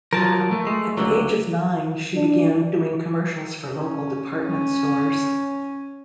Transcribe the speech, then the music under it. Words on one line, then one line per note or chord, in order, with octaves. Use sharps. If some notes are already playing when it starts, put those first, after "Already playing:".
At the age of nine, she began doing commercials for local department stores.
F3 F#3 A#4 A5
A3
G#3
C#2 D3 F#3
D4
C#4
C#4